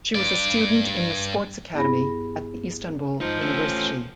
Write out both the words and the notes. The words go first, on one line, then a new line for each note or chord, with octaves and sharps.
She was a student in the "Sports Academy" at the Istanbul University.
G2 D5
G2 B3 E4 G#4 B5 A#6
G#2 F3 D#4
A3 C#4